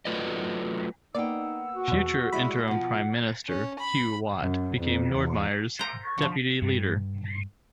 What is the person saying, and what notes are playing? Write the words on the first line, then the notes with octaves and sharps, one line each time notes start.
Future interim Prime Minister, Hugh Watt became Nordmeyer's deputy leader.
F#3 A3 F4 B4 D5 D#5
A#3 B3 D#4 D5 F#5 G5 E6
F#4
E2 B2
G3 G#3 E4 B5
B2 F3 F#5
C#4
B5
F#2
F2
E2
C5 A#5
C#6
D3 F3
G2